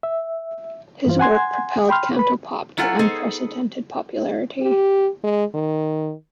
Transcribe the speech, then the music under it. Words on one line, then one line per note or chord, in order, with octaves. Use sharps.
His work propelled Cantopop to unprecedented popularity.
E5
G2 E3 F4 C5
F#5 G#5 C6 G#6
G5 B5 C6 F6
B4 B5
F#3 E4 F4 A4 F#5 G#5
B3 D#4 G#4 A4 C5
G4
G#3
D#3